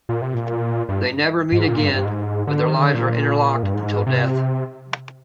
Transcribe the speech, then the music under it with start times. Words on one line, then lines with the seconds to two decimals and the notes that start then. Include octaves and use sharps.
They never meet again, but their lives are interlocked until death.
0.09 A#2
0.22 C3
0.34 A#2
0.89 G2
1.52 G#2
1.68 A#2
1.84 G2
1.94 G2
2.05 G#2
2.47 D3
2.63 D#3
2.79 D3
2.95 A#2
3.63 G2
3.74 G#2
4.07 C3